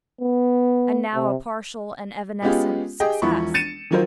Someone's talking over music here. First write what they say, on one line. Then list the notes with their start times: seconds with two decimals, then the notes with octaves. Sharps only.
And now a partial and evanescent success.
0.21 B3
1.15 C3
2.42 G#3 B3 C#4 F4 G4 G#4
3.00 G4 G#4 D#5 G5
3.22 E1 F3 E4 C#6
3.54 A6 C#7 D#7 E7
3.91 D#3 F3 F#3 F4 A#4 C5